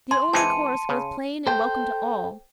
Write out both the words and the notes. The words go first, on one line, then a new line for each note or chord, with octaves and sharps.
The only course was plain and welcome to all.
G#5 C6
E3 G#3 C4 A5 C#7 D#7
C#3
A4 C5 G5